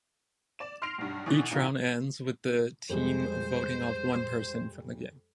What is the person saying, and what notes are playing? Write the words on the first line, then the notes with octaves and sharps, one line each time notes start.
Each round ends with the team voting off one person from the game.
D5 E7
C6 F6 A#6 C7 D7 F7
B1 G2
B2 D3 E3 D5 F#6
A#2 C#3 E3 D#4 F4 F#4
F2 G3 G#3 C5